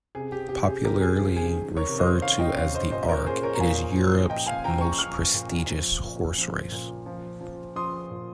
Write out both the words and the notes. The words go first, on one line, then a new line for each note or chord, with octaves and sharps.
Popularly referred to as the "Arc", it is Europe's most prestigious horse race.
C3 G#4
G4
C3 G4
G#4
C3 G4 A#4
G#4
F3 G#4
G#4
D#3
A#4 C#5
C3
C5 D#5
D#3 C#5 F5
D#5 G5
C3 C#5 F5
C5 D#5
A#2 C5 D#5
A#4 C#5
A#2 G#4 C5
A#4 C#5
A#5
A#2 F5 G#5
F3
A#2 D#5 G5
F5 G#5
F3 G5 A#5
A#5 C#6
F3 C#6 F6
A#2
F3
A#2
F3
A#2
F3
F3
F3 C6 D#6
A#2